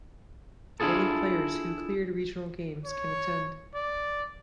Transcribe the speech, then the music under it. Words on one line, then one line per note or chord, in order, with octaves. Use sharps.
Only players who cleared regional games can attend.
D4 E4 F4 G#4 A4
C#5
D5